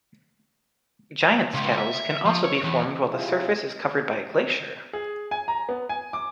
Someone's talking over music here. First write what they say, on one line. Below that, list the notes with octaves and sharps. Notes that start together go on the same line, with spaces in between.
Giant's kettles can also be formed while the surface is covered by a glacier.
C#2
E5
F3
C#5
E2
C3 G3 E4 F4 G4 G#4
G#4
G#5
A#5
B3
G#5
D6